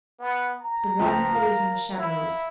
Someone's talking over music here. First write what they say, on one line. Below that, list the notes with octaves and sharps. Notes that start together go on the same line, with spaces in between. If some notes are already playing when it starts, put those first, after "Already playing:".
The One who is in the shadows.
B3
A#5
C#2 F3 G5
A#4 F5
E4